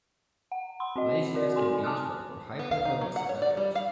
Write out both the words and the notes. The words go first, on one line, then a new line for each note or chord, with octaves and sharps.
Laziness can be useful for high performance scenarios.
F#5
B5 C6
C4 F#4 D#5
C4 F#4 A#4 D5
D#4 A4 G#5 C6
G#5 A5 D6 D#6 F6 F#6
B3
F5
D#4
F#3
F#5
C#5
D5
G3
F5